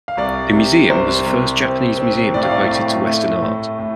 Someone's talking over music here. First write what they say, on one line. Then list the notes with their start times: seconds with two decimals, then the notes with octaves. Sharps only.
The museum was the first Japanese museum devoted to Western art.
0.08 F5
0.17 C2 D5
0.53 C3
0.90 C2 C5
1.26 C2
1.63 C4
1.98 C4
2.34 A2 D5
2.43 F5
2.51 D5
2.71 A2
3.07 A3
3.42 A2
3.79 A2